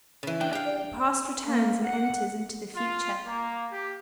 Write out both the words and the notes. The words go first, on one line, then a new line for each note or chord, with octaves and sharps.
The past returns and enters into the future.
C#3 E3
D#2 D4 G5
G4 F5 G5
D5
A#3
F#5
F4
A#3
G4